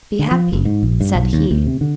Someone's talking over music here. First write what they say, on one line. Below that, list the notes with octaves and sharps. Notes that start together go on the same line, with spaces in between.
"Be happy!" said he.
D3
F3
F#1
G#2
A#1
G2
B1
D#2
D2
C3
D3